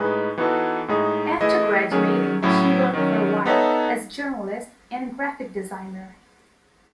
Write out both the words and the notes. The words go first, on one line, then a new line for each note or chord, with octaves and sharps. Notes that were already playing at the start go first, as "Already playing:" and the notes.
After graduating, she worked for a while as a journalist and graphic designer.
Already playing: A2 G#3 D#4 G#4 B4
E3 B3 D#4 F#4 A4
A2 G#3 D#4 G#4
E3 A3 E4 G#4 D#5
D#3 F#3 C#4 G#4
A2 F#3 C#4 E4
D#3 F#3 C#4
B3 D#4 A4 C#5 E5